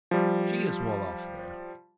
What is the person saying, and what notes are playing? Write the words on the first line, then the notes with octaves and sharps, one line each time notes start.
She is well off there.
F3 G3